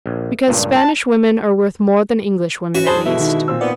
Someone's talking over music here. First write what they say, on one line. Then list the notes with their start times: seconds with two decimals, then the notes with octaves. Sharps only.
"Because Spanish women are worth more than English women at least."
0.06 A#1
0.48 C#2 G2 A#2
0.76 A5
2.75 C#4 F#4
2.87 F#2 D4 G#4 C5 G#5 B5
3.06 B2 D3 G#3 B3 E4
3.19 D#3 D#4
3.48 A#2 C4 E6
3.61 D#3 B3 D5